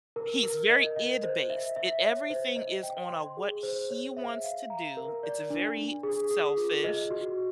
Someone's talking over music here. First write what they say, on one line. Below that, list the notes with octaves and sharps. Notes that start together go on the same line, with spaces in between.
He's very id based. It everything is on a what he wants to do. It's a very selfish.
A#4
A#4
D#5
D#5
C5
E5
E5
C#5
C5
D#5
G5
C6
G#4
C5
C#5
E5
F5
A#5
A#4
D5
D4
D4
G#4
G#4
F4
D#5
F#4